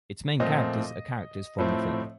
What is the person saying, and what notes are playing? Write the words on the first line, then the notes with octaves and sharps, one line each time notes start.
Its main characters are characters from the film.
A#2 F3 A3 C4 D#5
A2 F3 A3 C4